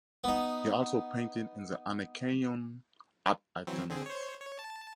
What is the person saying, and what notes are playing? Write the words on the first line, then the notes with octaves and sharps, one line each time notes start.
He also painted in the Anakeion at Athens.
B3 D#4
E3 F#3 C4
D3 C4 G#4
C5 C#5
C#5
A5